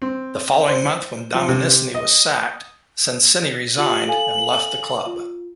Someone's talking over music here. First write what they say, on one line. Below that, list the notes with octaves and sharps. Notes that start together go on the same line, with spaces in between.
The following month when Dominissini was sacked, Sensini resigned and left the club.
C4
C5
F3
C3
D#5
F4 G4 F#7
A4 F5 G#5
F4